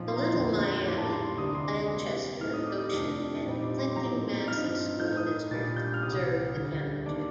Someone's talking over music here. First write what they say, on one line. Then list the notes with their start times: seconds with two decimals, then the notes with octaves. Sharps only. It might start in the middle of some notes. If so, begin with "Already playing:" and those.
The Little Miami, Blanchester, Goshen, and Clinton Massie school districts serve the township.
Already playing: A#2 F3 C4 D#4
0.08 C6
0.16 A#5
0.23 C6
0.34 F2 D3 F3
0.77 C6
0.86 A2 G3 A#3 D6
0.98 A5
1.05 A#5
1.12 C6
1.38 D2 C3 G3 D4 D#6
1.46 D6
1.55 C6
1.62 D6
1.90 C3 G3 A#3
2.41 A2 A3 C4 D#4 F6
2.53 D#6
2.66 D6
2.78 D#6
2.93 F2 C3 F3 A3 D4
3.45 A#2 G3 C4 D#4
3.61 D6
3.79 C6
3.96 A2 F3 C4 D#4 A#5
4.48 G2 F3 C4 D#4 F6
4.99 A2 A3 D#4 G6
5.17 D#6
5.51 A#2 G3 D4 A6
5.76 G6
5.94 F6
6.02 C2 C3 G3 C4 D#6
6.54 D2 D3 G3
7.06 D#3 A#3 D4 D6